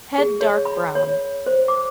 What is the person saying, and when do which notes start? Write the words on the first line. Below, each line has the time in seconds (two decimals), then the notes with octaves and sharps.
Head dark brown.
0.18 G#4
0.41 C#5
0.65 B5
0.95 C#5
1.46 C5
1.68 D6